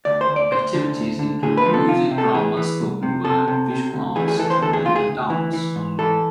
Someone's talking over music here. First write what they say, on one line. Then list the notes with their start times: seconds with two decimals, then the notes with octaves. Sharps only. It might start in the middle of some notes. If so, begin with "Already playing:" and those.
Activities include music, drama, spoken word, visual arts, comedy and dance.
0.05 D2 D5
0.21 C5
0.29 D2
0.36 D5
0.52 D2 C5
0.74 D3
0.97 D2
1.19 D3
1.43 D3 G#4
1.57 B4
1.66 F3
1.74 A4
1.88 C3 F4
2.11 C3
2.18 A4
2.34 E3 G#4
2.57 E3
2.80 C2
3.03 C3
3.25 C3 A4
3.48 C3
3.71 C3
3.94 D2
4.16 E3 G#4
4.28 G#4
4.39 E3 A4
4.50 C5
4.62 D2 A4
4.73 G#4
4.85 D2 F4
4.96 G#4
5.07 D2
5.30 E3
5.53 E3
5.76 G#2
5.99 E3 A4